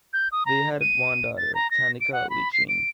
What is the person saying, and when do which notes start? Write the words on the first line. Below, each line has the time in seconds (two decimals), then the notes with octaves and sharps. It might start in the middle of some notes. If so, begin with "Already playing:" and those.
They had one daughter, Tanica Lichine.
0.13 G6
0.32 D#6
0.46 A#5
0.81 D#7
1.38 A6
1.55 A#5
1.71 A#6
2.01 D7
2.13 F#5
2.30 B5
2.53 C7
2.69 D7